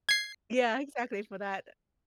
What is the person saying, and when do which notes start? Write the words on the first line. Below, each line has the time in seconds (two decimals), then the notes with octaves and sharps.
Yeah, exactly for that.
0.09 G#6 C7